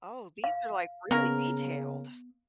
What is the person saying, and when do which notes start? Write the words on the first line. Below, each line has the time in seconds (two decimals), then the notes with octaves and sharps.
Oh, these are like really detailed.
0.44 F5
1.11 C#3 A#3 B3 C#4 A#4